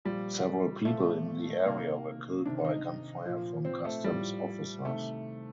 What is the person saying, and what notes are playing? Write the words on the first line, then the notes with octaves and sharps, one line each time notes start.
Several people in the area were killed by gunfire from customs officers.
A#2 F3 G3
A#2 F3 A3
C3 D#3 A#3
C3 D#3 D4
D#4
A#2 F3
C4
A3
A2 F3 G3
C3 D#3 A3